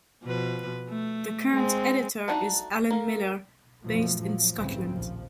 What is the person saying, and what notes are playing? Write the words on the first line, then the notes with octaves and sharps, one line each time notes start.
The current editor is Alan Millar, based in Scotland.
B2 F3 B4
A3
G#3 C4
A3 B3 D4 D#4 F#4
A#3 A#4
F#2 B2 F3 A3
A#2 F3 F#3
G1 C2 A2 C#3 E3 C4
A#1 D#2 F3